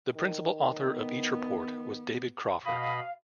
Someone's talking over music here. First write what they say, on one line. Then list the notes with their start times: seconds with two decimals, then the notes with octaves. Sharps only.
The principal author of each report was David Crawford.
0.15 D#3
0.83 B3
2.65 B2 D#5 F5 B5